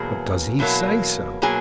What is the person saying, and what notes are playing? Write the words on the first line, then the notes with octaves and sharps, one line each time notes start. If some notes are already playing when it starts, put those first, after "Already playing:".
"But does he say so?"
Already playing: E2 B2 F#3 A#3 G#4
E2 B2 F#3 A#3
B2 F#3 A#3 G#4 G#5